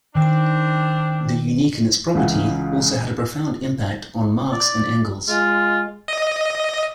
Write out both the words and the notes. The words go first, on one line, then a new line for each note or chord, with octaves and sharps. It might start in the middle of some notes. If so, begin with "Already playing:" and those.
"The Unique And Its Property" also had a profound impact on Marx and Engels.
D#3 C4 D4
C#2 C#3 E3 F5 F#5
D5
G#3 F4
D#5